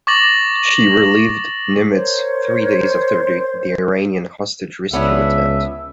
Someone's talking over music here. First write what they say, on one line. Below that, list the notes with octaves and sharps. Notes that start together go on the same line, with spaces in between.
She relieved "Nimitz" three days after the Iranian hostage rescue attempt.
C#6 D6 A6 A#6 F#7
A#4 C5 C#5
C#2 B3 C#4 D4 E5